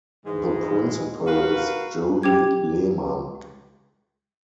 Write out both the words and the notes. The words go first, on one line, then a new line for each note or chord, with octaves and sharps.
The principal is Jody Lehmann.
G#2 E3 G#3
F#4 A#4 B4 F5
G4 G5 D6 G#6